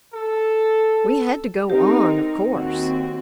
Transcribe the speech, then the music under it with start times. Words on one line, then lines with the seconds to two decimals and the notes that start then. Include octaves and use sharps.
We had to go on, of course.
0.14 A4
1.70 C4 D#4 G4 A#4
2.49 D#2 C4 F#4